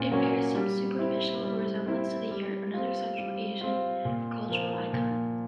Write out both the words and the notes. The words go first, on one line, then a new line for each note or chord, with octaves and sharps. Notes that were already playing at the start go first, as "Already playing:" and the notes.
It bears some superficial resemblance to the yurt, another Central Asian cultural icon.
Already playing: A#2 A#3 C#4
F#3 A#3 C#4
G3
C4 E4
G3
C4 E4
G3
C4 F4
G3
C4 F4
A#2
F3 A#3
A#2